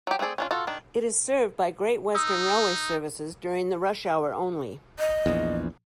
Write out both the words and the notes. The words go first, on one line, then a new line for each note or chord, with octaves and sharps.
It is served by Great Western Railway services during the rush hour only.
F#3 G4
A3 C4 F#4 G#4 D5
C#4 D4 F4
F4 F#4 A4
D#3 D4
D#4 D#6 E6
D#5
A#1 E2